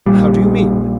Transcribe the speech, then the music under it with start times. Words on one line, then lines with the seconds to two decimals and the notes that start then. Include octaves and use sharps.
"How do you mean?"
0.06 A#1 A#2 G3